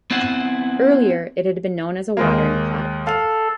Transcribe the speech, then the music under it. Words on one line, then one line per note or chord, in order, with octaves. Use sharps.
Earlier, it had been known as a "watering pot".
B3 C4 E4 C5 F#5
D#2 G#3 A#3
A4 F5